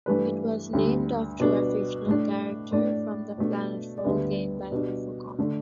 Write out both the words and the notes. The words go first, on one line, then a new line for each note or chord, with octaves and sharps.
It was named after a fictional character from the "Planetfall" game by Infocom.
G2 E3 A3 D4 B4
D2 D3 G3
B2 G3 B3 D4
A2 A3 D4
A2 A3 D4 D5
B2 A3 D4
D5
D2 D3 G3 B3 E5
B2 G3 D4
D3 A3 D4